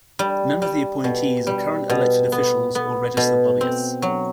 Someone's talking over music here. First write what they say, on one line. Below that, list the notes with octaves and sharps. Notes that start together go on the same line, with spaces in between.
None of the appointees are current elected officials or registered lobbyists.
G3
G3
B2
G3
B2
B3
B3
B2
C4
F#3